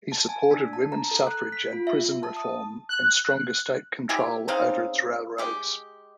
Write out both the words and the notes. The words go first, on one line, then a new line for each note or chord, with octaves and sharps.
He supported women's suffrage and prison reform, and stronger state control over its railroads.
A5
G#5
D4
A5
A#5
A4
F#6
B6
F4
E5
A5
D#6
F#6
E4 G4 E5 G#5
C#3 C4 D#4 F5
G#3 G4